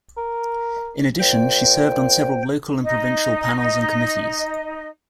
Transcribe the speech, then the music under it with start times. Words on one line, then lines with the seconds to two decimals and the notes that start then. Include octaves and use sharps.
In addition, she served on several local and provincial panels and committees.
0.17 A#4
1.20 A#2 C5 G5
2.83 D#4 D#5